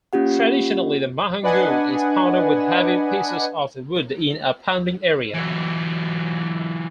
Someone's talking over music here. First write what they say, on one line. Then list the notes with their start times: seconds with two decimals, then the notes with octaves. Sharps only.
Traditionally the mahangu is pounded with heavy pieces of wood in a 'pounding area'.
0.13 A#3 C#4 F4 G4 F#5
1.43 D4 B4 D#5 F#5 G#5
5.34 E3 F#3